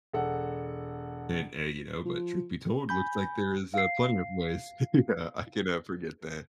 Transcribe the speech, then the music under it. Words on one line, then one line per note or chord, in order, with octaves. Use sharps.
and and, you know, but, truth be told, looks like there is, uh, plenty of ways yeah, I can, uh, forget that.
E1 A4 F#5
F3
G#5 B5 G6
F5 C7